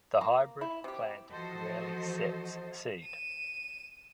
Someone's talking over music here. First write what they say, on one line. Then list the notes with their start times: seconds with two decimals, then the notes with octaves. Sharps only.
The hybrid plant rarely sets seed.
0.21 A#3
0.61 E4
0.84 C3 G4
1.30 E3 F3 F#4 A4 C5 D#5
3.03 D#7 E7